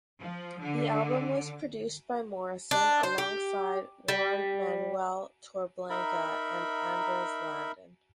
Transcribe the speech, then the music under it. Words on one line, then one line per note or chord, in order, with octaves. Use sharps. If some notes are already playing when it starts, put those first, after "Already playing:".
The album was produced by Morrison alongside Juan Manuel Torreblanca and Andres Landon.
F3
D3
D4
C5
G4
G3
D#4 A#4 E5 B5